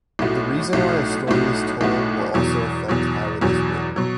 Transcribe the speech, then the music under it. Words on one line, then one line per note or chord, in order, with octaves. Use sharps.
The reason why a story is told will also affect how it is written.
B1 A2 A3 F#4
B1 A2 A3 F#4
B1 A2 A3 F#4
B1 A2 A3 F#4
E2 B2 F#3
E2 B2 F#3
E2 B2 F#3
B2 F#3